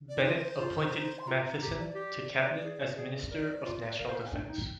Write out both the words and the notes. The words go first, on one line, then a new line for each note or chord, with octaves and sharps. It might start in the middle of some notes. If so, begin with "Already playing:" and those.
Bennett appointed Matheson to Cabinet as Minister of National Defence.
D5
D#4
F4 C5
A#4
C5
F4
D#4
C6
F4 A#5
A#5
G4 A#5
D5
G4
G#4
G#4
A#4 D5
F4
A#4 F5
C5
A#4
G#5
D4 G5
D#4